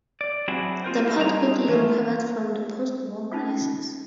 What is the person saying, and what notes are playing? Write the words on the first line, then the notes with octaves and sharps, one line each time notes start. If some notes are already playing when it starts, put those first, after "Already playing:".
The port quickly recovered from the post-war crisis.
D5
F#3 C4 D4 E4 F#4 G#4
A#3 F4 A#4 C5
E4 A#4 D#5
G3 C4 D4 G#4 A#5
E3 A3 F4
C#4 D#4 F4